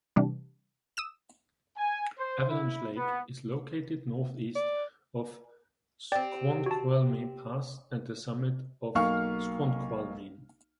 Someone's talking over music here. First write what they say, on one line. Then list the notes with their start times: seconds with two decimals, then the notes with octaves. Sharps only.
Avalanche Lake is located northeast of Snoqualmie Pass and The Summit at Snoqualmie.
0.16 C3 E3 G3 D4
0.97 D#6 E6 E7
1.77 G#5
2.19 C5
2.49 E4
2.96 B3
4.55 D5
6.12 C4 G4 D5 G5
6.66 F#4 A5
8.95 B1 A#3 F5 C#6 F6